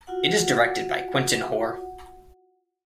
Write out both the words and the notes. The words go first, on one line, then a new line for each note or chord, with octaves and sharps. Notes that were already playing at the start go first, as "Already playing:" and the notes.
It is directed by Quintin Hoare.
F4 F#4 F#5